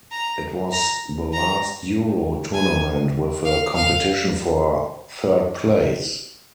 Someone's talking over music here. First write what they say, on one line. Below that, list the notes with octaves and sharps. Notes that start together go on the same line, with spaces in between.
It was the last Euro tournament with a competition for third place.
A#5
A#5
A#5
G#5
F5
F5